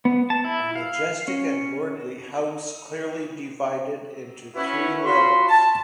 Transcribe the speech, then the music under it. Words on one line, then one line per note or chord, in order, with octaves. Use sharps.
A majestic and lordly house clearly divided into three levels.
B3
A5
E4
F5
C#4
C#4 E4 F#4 B4 C#5
F4 F#4 B5 C6
A5